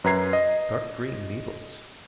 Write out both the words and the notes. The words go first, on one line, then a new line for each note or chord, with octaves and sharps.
Dark-green needles!
F#2 B4 A#5 G#6 C7
D#5